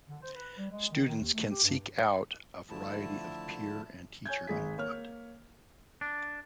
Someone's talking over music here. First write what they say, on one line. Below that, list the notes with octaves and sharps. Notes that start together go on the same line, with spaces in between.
Students can seek out a variety of peer and teacher input.
D3
C5
B4
G3
G#3
D#3
D#3
D#2
A3
G4
G2
D3 F3 A3 E4 A5
C#5 G#5 G6 G#6
G#1 G#4 B6
A#3 C#5 F6
D4